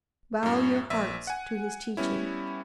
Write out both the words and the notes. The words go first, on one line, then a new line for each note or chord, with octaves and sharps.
Bow your hearts to his teaching.
F#2 A2
A#1 E5
F#5 G#5
G3 B3 C#4 E4